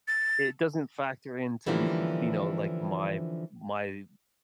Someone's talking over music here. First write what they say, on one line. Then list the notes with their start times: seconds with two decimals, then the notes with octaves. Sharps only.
it doesn't factor into m you know, like, my my,
0.08 A6
1.66 D3 E3 F3 G3 A#3 C#4